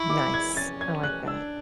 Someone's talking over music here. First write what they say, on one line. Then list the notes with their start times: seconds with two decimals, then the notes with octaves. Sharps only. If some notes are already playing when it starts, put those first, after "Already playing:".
Nice, I like that.
Already playing: E4 C#6
0.10 D6
0.34 G#6
0.57 C#4 A6
0.81 G#6
1.03 F#6
1.28 D4 E6